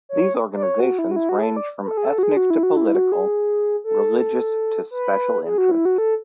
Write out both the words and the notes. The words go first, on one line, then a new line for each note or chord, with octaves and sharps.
These organizations range from ethnic to political, religious to special interest.
C#5
D5
C#5
F#4
E4
F#4
E4
F#4
G#4
A4
D5
B4
A4
G#4
A4
F#4
G#4
F#4
E4
F#4
E4
F#4
G#4
A4
B4
G#4
F#4
E4
F#4
A4